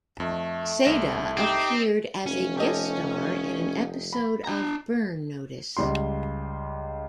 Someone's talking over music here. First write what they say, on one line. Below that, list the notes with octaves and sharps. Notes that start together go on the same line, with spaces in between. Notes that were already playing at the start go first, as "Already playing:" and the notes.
Seda appeared as a guest star in an episode of "Burn Notice".
F2 A3
C2 A#6 E7
C4 D#4 G4
F1 C#4
C#4 G4 A4 D#5
B5
D4 A#5
C#2 G3 G4 C6